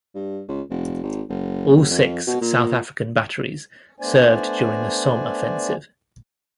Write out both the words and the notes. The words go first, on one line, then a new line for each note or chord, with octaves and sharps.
All six South African batteries served during the Somme offensive.
G2
C#2
F1
G#1
F#1
F2
B2
A#2
A3 B3 D4 C5 D5 G#5